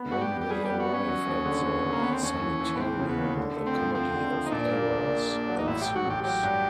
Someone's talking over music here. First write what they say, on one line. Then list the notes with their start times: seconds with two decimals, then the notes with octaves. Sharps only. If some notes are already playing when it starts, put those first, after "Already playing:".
When they arrive at the sanitarium, a comedy of errors ensues.
Already playing: B3
0.11 G2 F#4
0.21 G4
0.31 B3
0.41 G4
0.50 G3 G#4
0.65 B3 G4
0.80 F#4
0.89 B3 C#4
1.08 F#3
1.27 D#2
1.46 D3
1.65 D#2
1.84 D3
1.93 A#3
2.03 D#2 B3
2.13 C4
2.23 D#2 C#4
2.41 E3
2.61 E3
2.75 B3
2.80 E3 C4
2.99 C#3
3.09 B3
3.18 D#2
3.37 D3
3.57 A3
3.66 C4
3.76 F3
3.95 F3 C4
4.14 D3
4.33 F3
4.46 D#4
4.52 A#2 D4
4.71 A#3
4.91 A#1
5.09 A#2
5.29 A#3
5.47 F#3
5.59 D#4
5.67 A1 E4
5.82 A1 G4
5.96 F#4
6.05 A1
6.10 G4
6.24 F#3 G4
6.43 G2